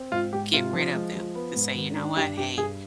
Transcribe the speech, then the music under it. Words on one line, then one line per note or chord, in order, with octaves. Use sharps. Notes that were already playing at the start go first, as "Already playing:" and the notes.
get rid of them, to say, "You know what, hey,
Already playing: C4
G#2 F4
G#2 G4
C3 F4
F3
G#3
F3
B3
G#2
D#3
D4
G2 G4
G2 G4
G2 G#4